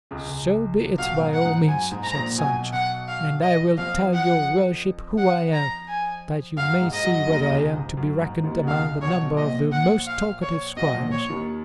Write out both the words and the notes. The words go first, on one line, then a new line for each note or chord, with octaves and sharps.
"So be it by all means," said Sancho; "and I will tell your worship who I am, that you may see whether I am to be reckoned among the number of the most talkative squires."
C#2 C#3
C#2 C#3
B1 B2 F5
G#2
F#5
G#2
F#2 G#5
G#2
A#5
A#1 A#2
B1 B2 G#5
F#5
F5
D#5
F2 F3 F5
F#5
F#5
A#5
G#5
F#2 F#3 F5
G#2 G#3
D#5
F#2 F#3
D#2 D#3
C#2 C#3
G#2
F#2
G#2
D#2 D#3
B2
C#2 C#3 F5
B1 B2 C#5
B2
A#1 A#2 D#5
F#5
F5
C#5
B1 B2 D#5
A#1 A#2
C#5
D#2 D#3